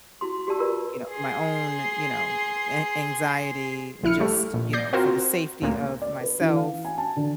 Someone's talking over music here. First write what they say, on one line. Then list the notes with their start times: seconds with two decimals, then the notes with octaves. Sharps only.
You know, for my own, you know, an anxiety and just, you know, for the safety of myself,
0.21 E4 F#4 C6
0.47 F#4 G4 D5 A5 E6
0.59 F4 G4 A#4 B4 D5
1.10 G#4 C6
4.03 A#1 E4 F6 C#7
4.20 G3 A3
4.54 A#1
4.73 D5 G6 A#6 C7
4.93 C4 F4 F#4 A#4 C5
5.62 D2 A#2 A#3
6.02 D5
6.21 B4
6.41 E3
6.56 F5
6.85 G#5
6.98 A5
7.16 D3